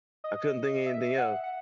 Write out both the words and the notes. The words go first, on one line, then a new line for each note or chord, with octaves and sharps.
I couldn't think anything else.
D#5
E5
F#5
F#5